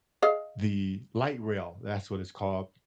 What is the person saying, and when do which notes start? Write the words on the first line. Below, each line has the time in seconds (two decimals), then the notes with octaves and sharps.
the Light Rail that's what it's called,
0.22 G#4 D#5 F5